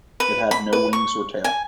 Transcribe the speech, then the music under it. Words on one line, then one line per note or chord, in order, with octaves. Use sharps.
It had no wings or tail.
B4
B5
B4
C#6
G#5